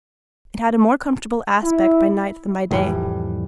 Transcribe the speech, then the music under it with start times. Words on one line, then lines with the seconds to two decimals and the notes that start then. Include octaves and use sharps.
It had a more comfortable aspect by night than by day.
1.62 E4
2.71 C2 F2 A2 E3 G3